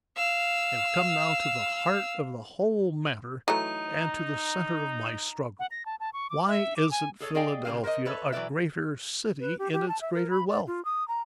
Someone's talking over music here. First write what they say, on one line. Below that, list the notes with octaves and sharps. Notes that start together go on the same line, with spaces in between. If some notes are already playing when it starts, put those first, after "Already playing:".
I have come now to the heart of the whole matter and to the center of my struggle: Why isn't Philadelphia a greater city in its greater wealth?
F5 E6
E3 F#3 A3 D#4 A#5
F#5
A#6
A5
A5
C#6
D6
E5
D6
G#5
G#4 A4 C#5
G#4 D5 D#5 F5 G5 G#5
A#2 C#3 A3 C#4 G4 F5
A#4 C5 C#5 D#5
A4 B4 C#5 E5
E3 F#3 C#4 B4 D5 E5
B4
G4
G4
A5
E5
A#4
B5
D5
F4
D#6
A#5